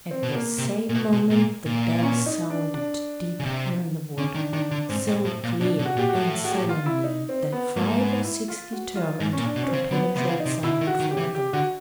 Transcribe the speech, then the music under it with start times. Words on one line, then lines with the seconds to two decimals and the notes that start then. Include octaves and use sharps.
At the same moment the bell sounded deep in the wood, so clear and solemnly that five or six determined to penetrate somewhat further.
0.11 C4
0.23 B2
0.35 A#3
0.58 C3
0.89 A#2
0.94 B2
1.12 B2
1.30 A#2
1.66 A#2
2.02 C#4
2.26 D#4
2.50 D4
2.74 D4
3.40 C#3
3.46 C3
4.18 D3 C#4
4.35 D#3 D4
4.53 D#3 D4
4.71 D3 D4
4.89 G#2 C4
5.07 A2
5.25 A2
5.44 A#2
5.60 B2 D4
5.79 B2
5.85 F#4
5.96 A#2 G4
6.09 F#4
6.15 A2
6.44 F#4
6.51 G4
6.69 F4
6.86 E4
7.04 D#4
7.29 C4
7.52 B3
7.76 G#2 A#3
8.01 B3
8.24 E4
8.48 F4
8.72 F#4
8.95 F4
9.20 G#2
9.32 C#4
9.38 A#2
9.44 D4
9.56 B2
9.63 C#4
9.68 C4
9.73 C#3
9.91 D3 B3
10.15 C3 B3
10.28 C#3
10.40 D#4
10.45 C3
10.63 B2 E4
10.81 D#3
10.87 F#4
11.00 D#3
11.11 G4
11.17 E3
11.35 G4
11.53 D3 F#4